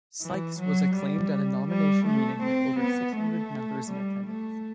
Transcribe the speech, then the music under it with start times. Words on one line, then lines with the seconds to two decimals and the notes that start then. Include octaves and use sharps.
Sykes was acclaimed at a nomination meeting with over six-hundred members in attendance.
0.21 E3
0.59 F#3
0.96 G3
1.69 G3
2.06 A3
2.44 C4
2.80 B3
3.17 A3
3.90 G3
4.27 A3